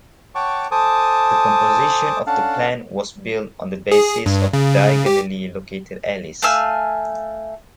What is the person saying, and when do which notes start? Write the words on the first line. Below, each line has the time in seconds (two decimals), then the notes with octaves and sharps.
The composition of the plan was built on the basis of diagonally located alleys.
0.35 C#5 F#5 G5 A5 C#6 D6
0.71 A4 C5 G#5 A5 D6 D#6
2.27 C#4 D4 A4 F5 F#5 A5
3.92 G#4
4.26 G2
4.53 C#3
5.06 G4
6.42 A3 F5 G#5 E6